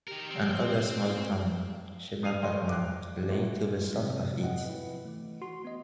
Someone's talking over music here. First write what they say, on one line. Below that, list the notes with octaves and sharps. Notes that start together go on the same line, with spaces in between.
Another small town, "Chennapatnam", lay to the south of it.
D#3 G4 A#4
C4
G2 D#6 C7 D#7 F7
A4 C#5 D#5 G5 C6
D6 F#6
C#2 G3 G#3 A#3 E4 F#4
G#2 C3 G#3
D#5 F#5 G5
E4 B4
E3 A3
F#4 C6
B3 D#5